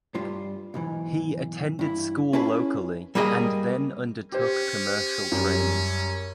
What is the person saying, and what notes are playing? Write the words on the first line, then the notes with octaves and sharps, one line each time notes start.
He attended school locally and then undertook commercial training.
G2 G3 F4
B1 G#2 E3
G2 E4
C#4 E4 G#4 B4 A5 B5
G3 A#3 G#4 D#5
C#4 G4 C5
F#2 G3